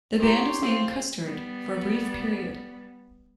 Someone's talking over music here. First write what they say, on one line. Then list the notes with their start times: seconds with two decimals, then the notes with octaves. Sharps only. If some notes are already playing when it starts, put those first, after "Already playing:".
The band was named Custerd for a brief period.
0.20 E4 G4 A#4 C#5 C6
0.62 C4 F4 G#4 F5 E6
1.24 G3 B3